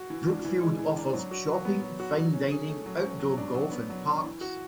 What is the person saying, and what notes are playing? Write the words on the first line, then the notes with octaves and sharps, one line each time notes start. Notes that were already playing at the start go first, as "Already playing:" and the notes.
Brookfield offers shopping, fine dining, outdoor golf and parks.
Already playing: F#4
E3
D4
E3
G#3
E3
D4
F#3
F#4
F#3
B3
F#3
F#4
F#3
C#4
G#4
A3
F#3
C#4
F#3
D4
F#3
B3
F#3
D4
E3
F#4